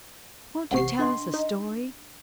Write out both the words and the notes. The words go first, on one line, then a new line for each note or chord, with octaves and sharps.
"Won't you tell us a story?"
A1 C3 F#5 C#6 C7
D4 D#5 C6
D#4